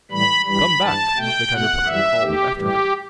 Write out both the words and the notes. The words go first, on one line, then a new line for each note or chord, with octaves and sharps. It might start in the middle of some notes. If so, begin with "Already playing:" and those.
'Come back!' the Caterpillar called after her.
A2 E3 G3 B5
G2 E3 G3 B5
G2 E3 G3 A5
B2 A3 G5
B2 A3 F#5
F#2 E3 G3 E5
E2 D#3 A3 G4
A2 E3 G3 G4